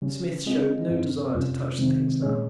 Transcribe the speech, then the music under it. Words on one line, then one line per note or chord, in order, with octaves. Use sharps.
Smith showed no desire to touch the things now.
C#3 G3 C#4
G#3 C4 F4 G#4 D#5
G2 F3 C4
F2 C3 G3 C#4 F4
C3 D#3 G#3 C4
A#2 G#3 C#4 G#4 C#5